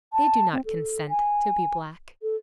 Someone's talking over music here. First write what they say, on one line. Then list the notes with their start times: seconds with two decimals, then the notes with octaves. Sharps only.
They do not consent to be black.
0.13 A5
0.53 C4
0.65 A4
1.09 G#5
2.22 A4